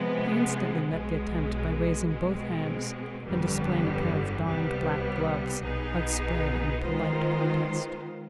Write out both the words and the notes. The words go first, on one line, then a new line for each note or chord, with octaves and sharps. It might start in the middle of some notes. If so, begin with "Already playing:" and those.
He instantly met the attempt by raising both hands, and displaying a pair of darned black gloves outspread in polite protest.
Already playing: C3 F3 G#3 B3
B1 B2 G#3
B2 G#3 C4
G1 F2 D3 G3 B3
C2 C3 G3 B3
B1 B2 B3 D#4 G#4
D#3 G#3 B3 F4 C5